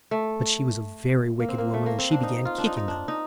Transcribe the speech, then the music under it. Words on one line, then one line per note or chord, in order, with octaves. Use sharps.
But she was a very wicked woman and she began kicking them.
A3
A#3
C4
A#3
A3
A#3
C4
D4
D#4
F4
D4
D#4
D#4
D4
D#4